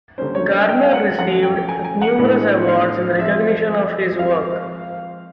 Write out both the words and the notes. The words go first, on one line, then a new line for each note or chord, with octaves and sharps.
Garner received numerous awards in recognition of his work.
D3 G3 A#3 C#4 C5
C#5
D#5
G5
F5
F#5
F3 A3 C#4 F#5
G5
G#5
G#5
F#5
A2 E3 G#3 B3 D4
F5
F3 G#3 C4 E5
F3 G#3 C4 F5